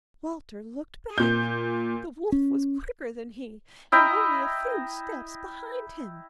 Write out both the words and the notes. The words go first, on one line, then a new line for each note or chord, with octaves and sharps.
Walter looked back; the wolf was quicker than he and only a few steps behind him.
A#2 G6
C#4
E4 D#5 G5 A#5